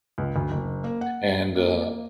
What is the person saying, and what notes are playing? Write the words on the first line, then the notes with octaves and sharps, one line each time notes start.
And, uh
C#2
D2
F#1
A#3
F#5
A#3